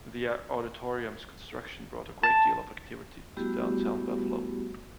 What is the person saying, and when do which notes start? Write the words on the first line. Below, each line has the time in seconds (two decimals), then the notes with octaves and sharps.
The Auditorium's construction brought a great deal of activity to downtown Buffalo.
2.23 A5
3.37 G3 A3 B3 E4 F#4 G4